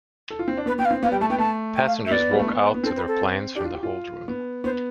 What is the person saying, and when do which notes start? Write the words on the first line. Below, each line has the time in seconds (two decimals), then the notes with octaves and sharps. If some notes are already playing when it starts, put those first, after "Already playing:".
Passengers walk out to their planes from the holdroom.
0.30 A4
0.39 F4
0.48 C4
0.57 D4
0.66 B3 B4
0.78 B3 G5
0.85 F5
0.91 C4
1.03 B3 F5
1.11 G3 G5
1.20 A3 A5
1.30 B3 G5
1.38 A3 A5
1.75 G5
1.87 F5
2.06 E5
2.11 B3 D5
2.31 G3
2.39 A3
2.47 B3
2.74 B3
2.84 C4 A4
2.96 B4
3.07 A4
3.56 D4 G4
3.65 F4
3.74 G4
3.83 F4
4.28 B3
4.64 B3 C5